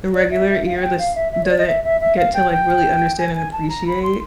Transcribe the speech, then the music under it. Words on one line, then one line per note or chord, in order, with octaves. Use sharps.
the regular ear lis doesn't get to, like, really understand and appreciate.
D5
E5
E5
F5
F#5
G5
F5
E5
E5
C#5
D5
D#5
E5
E5
E5
F5
G5
G5
G#5
G#5
A5
A#5
B5
C6